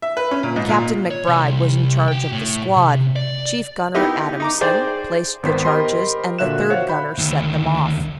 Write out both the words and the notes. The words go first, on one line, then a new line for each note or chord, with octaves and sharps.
Captain MacBride was in charge of the squad, Chief Gunner Adamson placed the charges and the third gunner set them off.
E5
B4
C#4
A#2
G#2
A#2
C#5
C2
F#4 G5
A2
C3
D5
B3 D#4 E4 G4 D#5
D#4 A#5 D6
G#4 C5 D5 G5
G#1 D#3 B3 C5 C6 B6
G4 A#4 C5 D#5 B5 C6
A#2 D3 F#4 E5 F#6 E7
F#4 C5 C#5 F5 F#5
B5 G6
D2 D#3